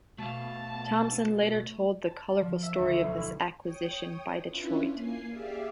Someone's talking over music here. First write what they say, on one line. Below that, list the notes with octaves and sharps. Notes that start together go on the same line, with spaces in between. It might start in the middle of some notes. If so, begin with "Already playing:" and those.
Thompson later told the colorful story of his acquisition by Detroit.
B2 A3 F5 A5
A5
F3
E5
D2
B1
E4
C#5 G5 D#6
C#4 D4 E4 F4 B4
A#3 G#5 C7
G4 G#4 D5 E5 F5